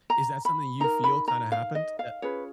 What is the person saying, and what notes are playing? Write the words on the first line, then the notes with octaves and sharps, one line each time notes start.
Is that something you feel kinda happened? Eh
A#5
B5
D#4 A#4 A#5
B5
A#5
F5
D#5
F5
C#4 F4 G#4 B4 C#5